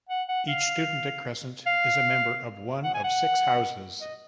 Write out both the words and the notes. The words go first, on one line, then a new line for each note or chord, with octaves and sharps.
Each student at Crescent is a member of one of six houses.
F#5
F#5
F5
F5
F#5
G#5
F#5
D#5